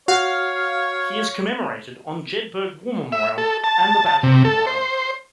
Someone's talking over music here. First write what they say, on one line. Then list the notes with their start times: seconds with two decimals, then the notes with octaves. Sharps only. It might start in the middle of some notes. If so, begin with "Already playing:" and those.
He is commemorated on Jedburgh War Memorial and the Basra Memorial.
0.08 F#4 C#5 F5
3.12 E5
3.38 A4
3.64 A5
4.06 A5
4.23 C3
4.45 A4
4.67 C5